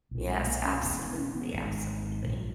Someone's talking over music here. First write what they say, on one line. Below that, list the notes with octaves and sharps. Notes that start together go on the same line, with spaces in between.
Yes, absolutely, absolutely.
B1 A#2
G#3
A#3
C#4
E1 E2 C#3 B3
B3
C#4
B3
G#1 G#2 G#3
A#1 A#2